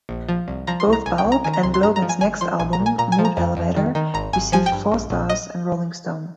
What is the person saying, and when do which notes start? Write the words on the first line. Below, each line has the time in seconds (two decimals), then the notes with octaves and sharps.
Both Bulk and Logan's next album, "Mood Elevator", received four stars in "Rolling Stone".
0.09 A#1
0.29 F3
0.48 C2
0.67 F3 A#5
0.80 C6
0.87 C2
0.93 A#5
1.06 C2 G#5
1.18 G5
1.25 C2
1.32 A#5
1.44 D#3 G#5
1.53 A#5
1.63 C2 C6
1.74 C6
1.82 G2 A#5
1.96 A#5
2.02 F3
2.09 G#5
2.21 G1 G#5
2.41 F3 C6
2.60 A#1 G#5
2.73 A#5
2.80 A#2
2.86 G#5
2.98 A#2 A#5
3.12 G#5
3.19 F3
3.25 A#5
3.37 F2
3.57 F2
3.76 D#3
3.95 D#3
4.14 G#1 A#5
4.33 G#1 G#5
4.52 F3 G#5
4.66 G5
4.72 G2
4.92 A#1
5.10 A#1
5.30 D#5